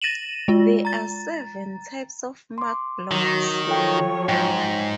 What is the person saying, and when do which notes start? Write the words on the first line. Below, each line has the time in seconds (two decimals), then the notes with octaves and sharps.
There are seven types of Mark blocks.
0.02 A6 A#6 D#7 E7 F#7
0.48 G#3 F4
0.85 A#5 A6
2.58 C6 D6
3.11 D#3 F#3
3.68 F3 F#3 F4 A4 C#5 G5
4.29 G#2 G5